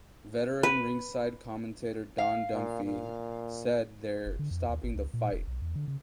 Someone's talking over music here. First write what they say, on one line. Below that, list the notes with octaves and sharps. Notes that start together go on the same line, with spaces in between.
Veteran ringside commentator Don Dunphy said They're stopping the fight.
B4
F5
A#2
A#2
F#1
D3
F2
D#2
G#1
C#2
A#2
E1
B1
E2
D3
C#3